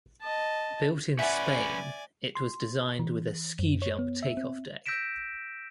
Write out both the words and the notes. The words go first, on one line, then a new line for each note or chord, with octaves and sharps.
Built in Spain, it was designed with a "ski-jump" takeoff deck.
D#5 A5
C#4 B4 D5 E5 F#5 G#5
C6
E3
F#2
C#5
B3
E5
C4
E6 G6 A#6 B6 D7 E7